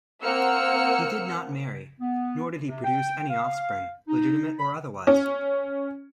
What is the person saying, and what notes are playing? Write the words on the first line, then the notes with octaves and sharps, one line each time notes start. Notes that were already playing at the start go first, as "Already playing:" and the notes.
He did not marry, nor did he produce any offspring, legitimate or otherwise.
A#3 C4 F#5 E6 F6 C#7
B3
C3
G5
F5
D#4
B5
C#4